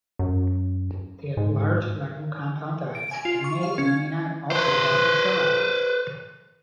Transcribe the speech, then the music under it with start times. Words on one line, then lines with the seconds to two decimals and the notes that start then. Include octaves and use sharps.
They have large lateral compound eyes, and may or may not also have ocelli.
0.19 F#2
1.37 G#2
2.95 D7
3.11 G#5
3.25 F4
3.44 C#6
3.63 F5
3.78 C#4
4.52 B4 C5